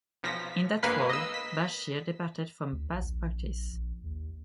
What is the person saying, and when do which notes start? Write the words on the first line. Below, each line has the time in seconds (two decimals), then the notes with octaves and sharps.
In that role, Bashir departed from past practice.
0.23 B1 F3 A#6 B6
0.83 G1 G#3 A#3 B4 B5 C7
1.09 D#5 E6
1.34 B6
2.73 D2
2.94 A#1
3.73 A#1
4.04 D#2